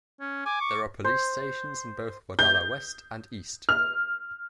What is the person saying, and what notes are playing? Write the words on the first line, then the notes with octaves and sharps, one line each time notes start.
There are police stations in both Wadala West and East.
C#4
G#5 D6
C#6
C5
G6
F6